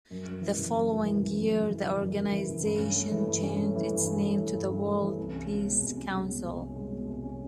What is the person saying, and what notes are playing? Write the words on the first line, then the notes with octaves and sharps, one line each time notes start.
The following year the organisation changed its name to the World Peace Council.
F#2
F#2
E3
C#3
F#2
F#2
E3
C#3
F#2
F#2
E3
C#3
F#2
F#2
E3
C#3
G2
C#4
A3
E3
G2
C#4
A3
E3
G2
C#4
A3
E3
G2
C#4
A3
E3
C2
C#4
G#3
B2
C2
C#4
G#3
B2
C2
C#4
G#3
B2
C2
C#4